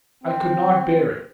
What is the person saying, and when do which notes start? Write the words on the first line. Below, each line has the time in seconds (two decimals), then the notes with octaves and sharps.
I could not bear it.
0.24 C4